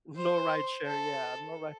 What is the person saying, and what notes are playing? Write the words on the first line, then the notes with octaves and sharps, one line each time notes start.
no rideshare, yeah, no ri
C5
A4